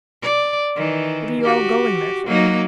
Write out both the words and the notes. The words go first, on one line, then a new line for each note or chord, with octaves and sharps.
"What are you all going there for?"
D5
D#3 E3
F#4 G4
F#3 A#3 D#4